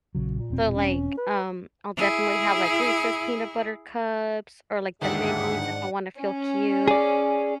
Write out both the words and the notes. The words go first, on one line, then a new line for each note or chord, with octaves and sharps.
so, like, um, I'll definitely have, like, Reese's Peanut Butter Cups, or like the minis if I wanna feel cute,
A#1 C#3 F#3
A#2
E1 C4
C#4
B4
E4 G#4
G1 D#2 G#2 D#3 D4 G#4 E5 F#5
C#4
G#4 D5